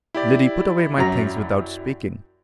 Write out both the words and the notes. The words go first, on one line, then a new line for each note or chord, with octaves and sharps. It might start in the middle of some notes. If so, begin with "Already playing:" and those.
Liddy put away my things without speaking.
E4 G4 D5
F#2 F#3 A#5